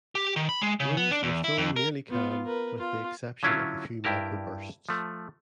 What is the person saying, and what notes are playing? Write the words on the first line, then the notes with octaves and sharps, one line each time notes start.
Winds were still nearly calm, with the exception of a few microbursts.
G4
D#3
B5
G#3
C#3
B3
D4
E2
E4
F2
A#4
B3 F4
A#4 B4
F4
D3 F#3 C#4 E4 F4
G2 E4 G4 A#4 A5
F3 A3